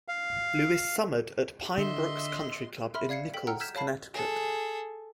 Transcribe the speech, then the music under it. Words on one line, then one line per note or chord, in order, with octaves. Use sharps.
Lewis summered at Pine Brook Country Club in Nichols, Connecticut.
F5
D3 D#5 E5 C6
E5 B5 C6 F6
D5 F5 G#6 C7 C#7
A4 G5 B6
F#5 G5 A#5 E6 F6
E6 F6 G6 G#6 B6 E7
C#5 F5 A5 B5 C7
G#4 A4